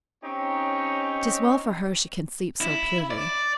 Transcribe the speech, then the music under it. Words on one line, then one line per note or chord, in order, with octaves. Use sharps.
'Tis well for her she can sleep so purely.
C4 C#4 D#4 G4 C#5
E4
D5